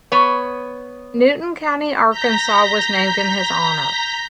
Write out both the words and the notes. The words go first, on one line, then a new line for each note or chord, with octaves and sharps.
Newton County, Arkansas was named in his honor.
B3 C#5
A#5 G6 A#6 B6